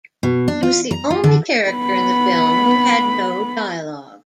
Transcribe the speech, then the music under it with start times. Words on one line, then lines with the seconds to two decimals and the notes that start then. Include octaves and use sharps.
He was the only character in the film who had no dialogue.
0.23 B2
0.48 D4
0.63 F4
0.91 A#5
1.10 F4
1.24 D3
1.69 B3 B5